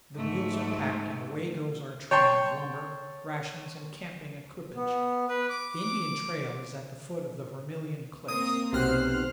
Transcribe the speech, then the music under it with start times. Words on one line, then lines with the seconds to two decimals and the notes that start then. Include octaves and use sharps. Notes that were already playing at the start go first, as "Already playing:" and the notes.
The mules are packed and away goes our train of lumber, rations, and camping equipage. The Indian trail is at the foot of the Vermilion Cliffs.
0.15 G#2 A3
2.11 C#5 G5 A5 C6 C#6
4.76 B3
5.28 B4
5.49 D6
8.28 A#3 C4 A#4 D#6
8.73 B1 C3 B3 C4 C5 F6 F#6